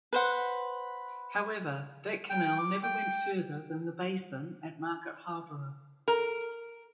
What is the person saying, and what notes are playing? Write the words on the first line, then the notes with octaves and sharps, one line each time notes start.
However, that canal never went further than the basin at Market Harborough.
B4 C5 F#5
G5
D6
G5
A#4